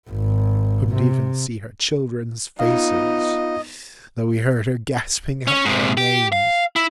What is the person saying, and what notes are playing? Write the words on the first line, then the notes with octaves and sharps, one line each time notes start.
She couldn't even see her children's faces, though we heard her gasping out their names.
G#1
C3
B3 D#4 F4 D#5 F5
C#4
G#2 C3
G4
F5
E4